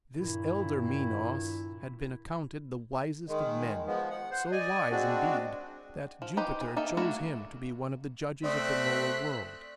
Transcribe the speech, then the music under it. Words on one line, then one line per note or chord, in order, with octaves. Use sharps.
This elder Minos had been accounted the wisest of men--so wise, indeed, that Jupiter chose him to be one of the judges of the Lower World.
G2 A#2 D#3 E4
D#3 G#3
F3 G#3 B3
F#5
C5 F#5
D5 D#5 G#5
G#3 C4 D4 F#4
F3
D#4 G4 B4 C5 G5
G#4
A#3 D#4 A4 E5 G5
A3 A#3 D4 E4 F#4
A3 C4 D5 D#6 F#6 B6